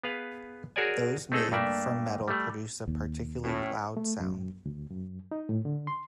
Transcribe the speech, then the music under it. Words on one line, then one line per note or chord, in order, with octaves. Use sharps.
Those made from metal produce a particularly loud sound.
B3 G#4 B4 F5
F#4 G#4 A#4 C#5 D5 G#5
A3 C4 D#4 G#4 A4
G2 A3 A#3 D5 E5
G3 A3
D#2
A2 C#4
A3
F#2
D2
F#2
D#4
A2
D3
C6